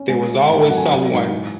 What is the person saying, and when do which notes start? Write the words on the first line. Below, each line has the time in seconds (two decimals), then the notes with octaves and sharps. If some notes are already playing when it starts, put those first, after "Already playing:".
There was always someone
Already playing: C#4
0.09 G#3 G#5
0.30 G#3
0.49 A2 A5
0.68 F#3 F#5
0.77 G#5
0.91 F#3
1.11 G#2
1.31 E3